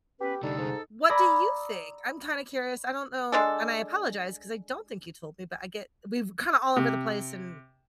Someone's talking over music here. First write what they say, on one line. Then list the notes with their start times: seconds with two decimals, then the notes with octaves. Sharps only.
what do you think? I'm kinda curious, I don't know, and I apologize 'cause I don't think you told me, but I get we've kinda all over the place. And,
0.21 B3 C#4 G4 B4
0.43 C2 D3 G3 D#4 A4
0.58 G#2
1.09 D5 A#5 B5 D#6 E6 G#6
3.32 G#3 D4 A4
6.76 C3